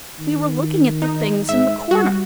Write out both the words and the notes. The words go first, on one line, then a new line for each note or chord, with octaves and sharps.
'We were looking at the things in the corner.'
D#3
D#4
G#2 E5
G3 F#4